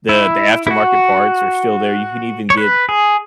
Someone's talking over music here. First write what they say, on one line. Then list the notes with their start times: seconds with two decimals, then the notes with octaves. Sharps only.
The the aftermarket parts are still there. You can even get
0.09 E4
0.67 E4
0.71 F#4
2.50 C#5
2.57 B4
2.89 G#4